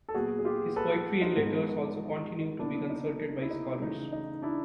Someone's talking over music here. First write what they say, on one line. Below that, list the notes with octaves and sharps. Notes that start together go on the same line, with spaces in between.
His poetry and letters also continue to be consulted by scholars.
A4
A#2 F#3 B3 F#4 G#4
G#4
F4 G4
A4 B4
D#4 F4
G#2 F3 G#3 B3
B2 F#3 A#3 D4 E4
D#4
E4
D#4
C#3 E3 A3 D#4
D#4
D4 E4